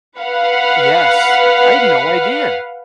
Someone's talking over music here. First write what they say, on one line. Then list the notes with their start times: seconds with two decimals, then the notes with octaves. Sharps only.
Yes, I'd no idea.
0.20 B4 F5 F#5